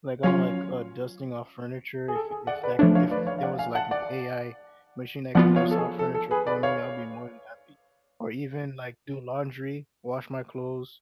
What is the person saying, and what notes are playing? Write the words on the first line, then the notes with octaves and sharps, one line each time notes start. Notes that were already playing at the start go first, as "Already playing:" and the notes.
Like, I don't like, uh, dusting off furniture, if if that if there was, like, an AI machine that can dust off furniture for me, I'd be more than happy. Or even, like, do laundry, wash my clothes,
F#3 C#4 F4 C#5 F5
G#4
A4
G#4
D5 F#5
B4 D5
F3 A3 D4 A4 C#5
C#5 F5
B4 D5
C#5 F5
F5
D5 F#5
F5 G#5
F#5 A5
D5 F#5
F3 B3 F4 D5 F#5
C#5 F5
A4
G#4
A4
A4
G#4 B4
B4 D5
C#5 F5